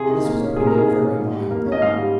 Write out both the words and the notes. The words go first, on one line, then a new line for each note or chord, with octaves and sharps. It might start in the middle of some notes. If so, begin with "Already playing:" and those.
This was putting it very mildly.
Already playing: C3 G#4
D#3
A#3
C#4
C3 G#4
A#4
D#3
G#4
A#3 G#4
C#4
G#2
G3
A#3
C#4
D#5
G#2 F5
G3